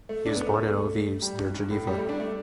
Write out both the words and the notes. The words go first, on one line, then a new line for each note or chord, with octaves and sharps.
He was born in Eaux-Vives near Geneva.
A3
D4
B3
A3
G3
G2
G2
A2
G3
A3
D4
A3